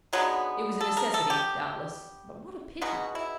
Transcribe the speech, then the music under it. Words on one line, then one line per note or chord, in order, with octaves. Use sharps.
It was a necessity, doubtless; but what a pity!
D3 F#3 B3 D#4 G#4
A4
A#4
A4
G4
B2 G#3 B3 D#4 F#4
E4